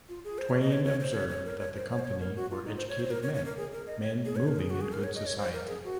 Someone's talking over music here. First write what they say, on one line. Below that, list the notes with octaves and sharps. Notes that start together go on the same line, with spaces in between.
Twain observed that the company were educated men, men moving in good society...
F4
G#4
C5
C#5
D#5
C#5
C#5
C5
C#5
C#5
A#4
C#5
C5
C#5
C5
C#5
A#4
F#4
F4
D#4
C5
C#5
C5
A#4
C#5
C#5
A#4
G#4
A#4
D#5
C#5
G#4
C#5
A#4
G#4
F#4
G#4
A#4
C#5
D#5
C#5
C5
A#4
G#4
F#4